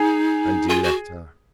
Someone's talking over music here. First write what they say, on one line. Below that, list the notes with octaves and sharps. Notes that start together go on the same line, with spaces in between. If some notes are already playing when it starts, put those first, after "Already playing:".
And he left her.
Already playing: D#4 G#4
F4 G#4
F#4